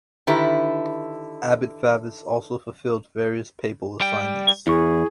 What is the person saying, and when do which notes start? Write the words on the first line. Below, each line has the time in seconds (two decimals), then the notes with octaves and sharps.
Abbot Favus also fulfilled various papal assignments.
0.27 D3 D#3 E4 G4 B4
4.01 G3 G5
4.67 E2 E4 G#4 C#6